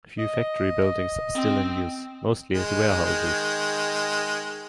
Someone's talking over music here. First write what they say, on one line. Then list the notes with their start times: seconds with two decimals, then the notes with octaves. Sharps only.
Few factory buildings are still in use, mostly as warehouses.
0.18 D#5
1.34 C4
2.54 D#3 G#3